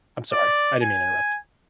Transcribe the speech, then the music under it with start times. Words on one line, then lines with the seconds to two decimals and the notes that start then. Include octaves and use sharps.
I'm sorry, I didn't mean to interrupt.
0.32 D5
0.82 G#5